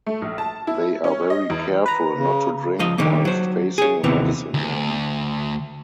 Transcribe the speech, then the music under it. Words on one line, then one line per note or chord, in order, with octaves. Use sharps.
They are very careful not to drink whilst facing a medicine man.
A3
A#1
A5
E4
C#4
D#5
E2
B4 A#5
C#3
C#2 F3 D#5
D3 D#3 G3 A#3
F#3 C5
G#4 C#5
D#2 C3 D#3 E3 B3
D2